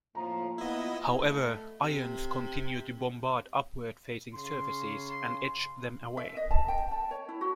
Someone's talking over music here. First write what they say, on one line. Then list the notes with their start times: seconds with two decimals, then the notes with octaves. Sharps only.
However, ions continue to bombard upward-facing surfaces and etch them away.
0.15 F2 A2 F3 A#3 A#5
0.58 B3 E4 F4 D#5
1.19 A3
1.82 C3
4.34 C#3 C6
6.17 E5
6.37 D#5
6.51 A5
6.68 G5
6.91 A5
7.11 C#5
7.29 E4
7.41 F#4